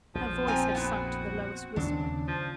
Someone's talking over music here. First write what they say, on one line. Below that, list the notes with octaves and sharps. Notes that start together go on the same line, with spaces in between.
Her voice had sunk to the lowest whisper.
A#1 F2 F3
C4 G5 G#5 A#5
B3 E4 F#4
D#2 C#3 C#4 D4
F3